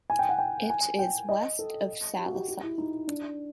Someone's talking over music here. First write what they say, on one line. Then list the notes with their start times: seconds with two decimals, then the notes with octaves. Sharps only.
It is west of Sallisaw.
0.10 G#5
0.19 G5
0.29 F#5
0.38 G5
0.70 G#5
0.99 G5
1.29 D#5
1.59 A4
2.19 G4
2.26 F#4
2.34 G4
2.48 G4
2.63 E4
2.78 D#4
3.08 D4